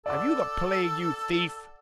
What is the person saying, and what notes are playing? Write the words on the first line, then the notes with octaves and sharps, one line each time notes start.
Have you the plague, you thief?
A4 D5 F#5 D6